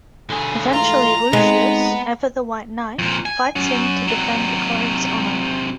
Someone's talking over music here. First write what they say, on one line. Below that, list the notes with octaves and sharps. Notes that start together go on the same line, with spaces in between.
Eventually Lucius, ever the white knight, fights him to defend Corrie's honor.
D3 G#4
G#2 E3 A3 F4 A#5
G#3 B3 C4 D#4
F2 A#2
G#5
F#3 C#4
C3 F#3